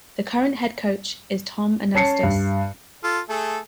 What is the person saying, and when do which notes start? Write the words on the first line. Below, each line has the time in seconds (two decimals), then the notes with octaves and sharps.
The current head coach is Tom Anastos.
1.95 C#4 A5 C7 C#7
2.23 G2
3.04 F4 A4
3.29 A3 G#4 A4